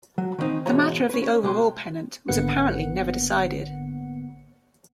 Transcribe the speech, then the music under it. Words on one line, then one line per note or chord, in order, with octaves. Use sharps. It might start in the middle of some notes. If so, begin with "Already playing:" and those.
The matter of the overall pennant was apparently never decided.
F#3
D#3 E3 G3 C4 D#4
G#2 B2 E3 G#3 C#5 A#5
C#4 B4
C#4
B2 G#3 G5 C6
G#1 D3 A#3 B3 F#5 C#7